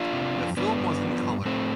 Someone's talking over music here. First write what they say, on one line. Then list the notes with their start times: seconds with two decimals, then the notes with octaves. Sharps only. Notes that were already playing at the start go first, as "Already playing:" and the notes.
The film was in colour.
Already playing: D4 F4
0.13 C3
0.35 F2
0.57 G2 B3 D4
0.80 G2
1.02 F3
1.23 G2
1.45 A2 A3 C4